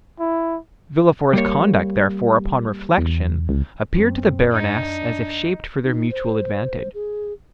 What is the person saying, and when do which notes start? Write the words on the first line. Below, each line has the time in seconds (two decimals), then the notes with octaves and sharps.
Villefort's conduct, therefore, upon reflection, appeared to the baroness as if shaped for their mutual advantage.
0.20 E4
1.33 G3 A#3 C#5
2.98 E2
3.49 C#2
3.96 F#2 C4
4.53 D4 D#4
5.84 D#4
6.11 C5
6.94 G#4